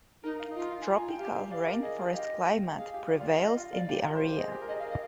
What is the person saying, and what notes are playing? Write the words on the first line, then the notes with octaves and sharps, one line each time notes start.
Tropical rainforest climate prevails in the area.
D#4 A#4
F5
F4 D#5
F5
G#5
A#5
G#5
G5
G4 F5
D5 F5
A#4
G#4 D#5
F4
G4 D#5
G#4 F5
G4
F4 D5
F4 D5
F4 D#5
F4 D#5
F4
F4 D5
G4
A#4
C5
G4
G#4 D#5
G4
A#4
G#4 D#5
F5
A#4
D#5